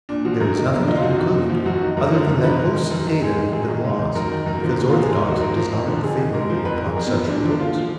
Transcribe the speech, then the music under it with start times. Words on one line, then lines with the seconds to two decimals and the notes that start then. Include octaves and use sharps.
There is nothing to conclude other than that hosts of data have been lost because orthodoxy does not look favorably upon such reports.
0.09 A#2 D4
0.25 F3 F#4
0.40 F#2 A#4
0.56 D#3
0.71 A#2 B3
0.81 D4
0.87 F3 D#4
0.96 F4
1.02 F#2 F#4
1.19 D#3
1.34 A#2
1.49 F3
1.65 F#2 F#4
1.81 D#3
1.97 F#2 A#4
2.12 D3 F3 A#4
2.28 F#2 A#4
2.43 D3 F3 B4
2.59 G#2 A#4
2.75 D#3
2.90 F#2
3.07 D#3
3.22 G#2 G#4
3.37 D#3
3.53 F#2 G#4
3.68 D#3
3.84 G#2
3.99 D#3
4.15 F#2 A#4
4.32 D#3
4.46 F#2 A#4
4.63 D3 F3
4.78 A#2
4.89 F4
4.94 F3 F#4
5.02 G#4
5.09 G#2 A#4
5.25 D#3
5.31 F#4
5.40 F#2 A#4
5.56 F3
5.72 F2
5.87 D3 F3
6.04 F2 G#4
6.19 D#3
6.34 G#2 A#4
6.50 F3
6.65 F2 B4
6.76 A#4
6.81 D#3
6.86 G#4
6.96 F2 A#4
7.07 B3
7.13 F3
7.18 B3
7.28 F#2 D4
7.43 D3 F3
7.60 A#2 F4
7.75 F3